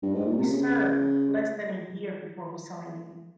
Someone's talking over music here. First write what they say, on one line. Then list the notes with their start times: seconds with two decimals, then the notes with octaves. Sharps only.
He served less than a year before resigning.
0.03 G2
0.15 G#2
0.26 A#2
0.38 C3
0.50 C#3